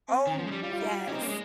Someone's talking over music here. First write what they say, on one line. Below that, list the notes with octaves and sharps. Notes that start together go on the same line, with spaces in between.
Oh, yes.
C4
C#4
D#3
F3
G#3
G3
G3 F4
F4
D#4
F4
G4
C#4
C4 D#4
A#3 C#4
G#3